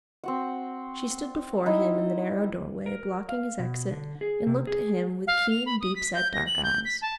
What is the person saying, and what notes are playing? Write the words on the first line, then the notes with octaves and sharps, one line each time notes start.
She stood before him in the narrow doorway, blocking his exit, and looked at him with keen, deep-set dark eyes.
C4 F#4 F#5
D#4 E4 D#5
A#4
F5
B2
D3
G#4
C3
G#4
F5
F7
B5
D#6
B6
G6
A#6
F#7
G6
B6
A5